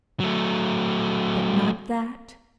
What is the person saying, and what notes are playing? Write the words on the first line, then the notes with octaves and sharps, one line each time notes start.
"But not that?"
F#3 A3